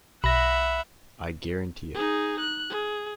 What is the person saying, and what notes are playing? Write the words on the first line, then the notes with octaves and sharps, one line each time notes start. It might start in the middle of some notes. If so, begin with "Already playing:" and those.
I guarantee it.
B1 E5 F#5 B5 A#6
D#4 G#4
F#6
G#4